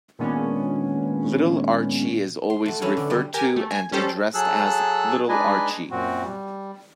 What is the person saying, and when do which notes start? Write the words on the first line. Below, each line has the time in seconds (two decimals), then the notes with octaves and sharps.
Little Archie is always referred to and addressed as "Little Archie".
0.19 A#2 D#3 G#3 B3 C#4 D4
2.50 C6
2.66 A3 F#4
2.81 E3 F#3 A3 C#4 E4
2.97 D3
3.10 D3 G3
3.34 G4 A#4 G#5
3.56 A3
3.71 G#5
3.92 G3 C#4 G4 A4 C5 G5
4.34 F#3 G#4 A4 E6 F#6
5.29 G#3 D4 D#4 B4 D#5 G#5
5.90 F#2 A#2 C4 F#4
6.23 G3